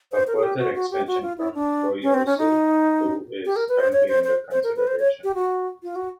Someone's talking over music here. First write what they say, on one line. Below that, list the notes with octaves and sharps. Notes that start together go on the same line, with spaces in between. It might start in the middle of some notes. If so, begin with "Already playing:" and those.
A further extension from Toyosu to is currently under consideration.
C5
A#4
G#4
G4
F#4
F#4
G4
F#4
F4
E4
D4
C#4
C4
C#4
D#4
G4
A#4
B4
C5
C#5
C5
C5
C5
A#4
B4
C5
C#5
G4
F#4
F4
F#4